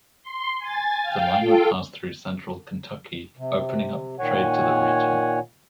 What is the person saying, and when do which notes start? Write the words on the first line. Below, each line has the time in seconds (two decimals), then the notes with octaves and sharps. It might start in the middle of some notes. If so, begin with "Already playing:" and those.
The line would pass through central Kentucky, opening up trade to the region.
0.23 C6
0.59 G#5 A6
1.03 F5 G5
1.40 F4 A4 G5
3.37 C3
4.19 A#2 D#3 C#5 F#5 G#5